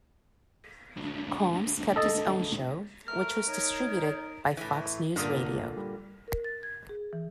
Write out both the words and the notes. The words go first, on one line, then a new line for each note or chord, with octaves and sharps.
Colmes kept his own show, which was distributed by Fox News Radio.
C#2 D3
A4 D#5 A5
A3 A#4 F6
D#4 C#5
A2 E3
G2 A#2 D3 A#3 D#6
G3
A#4
A6
G#6
G#4
E3